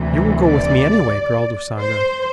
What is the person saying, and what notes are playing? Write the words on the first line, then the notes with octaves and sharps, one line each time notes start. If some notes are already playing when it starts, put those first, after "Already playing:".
"You will go with me anyway," growled Usanga.
Already playing: D2 C3 E3
D5
C5